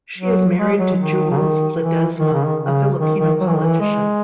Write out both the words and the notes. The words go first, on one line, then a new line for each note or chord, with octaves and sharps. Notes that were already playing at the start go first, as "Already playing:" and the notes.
She is married to Jules Ledesma, a Filipino politician.
F#3
G#3
F#3
D#3
C#3
D#3
E3
D#3
C#3
D#3
C#3
D#3
D#3
F#3
E3
D#3
E3
G#3